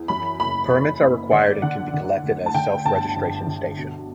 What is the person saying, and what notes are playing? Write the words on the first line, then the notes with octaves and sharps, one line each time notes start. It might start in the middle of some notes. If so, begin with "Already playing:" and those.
Permits are required and can be collected at a self-registration station.
Already playing: E2
F#2 B5
F#1 B5
F#1 B5
F#1
D3 D5
D3 F#5
D3
D2
A5
D3 G5
G1 A5
G1
D3
B2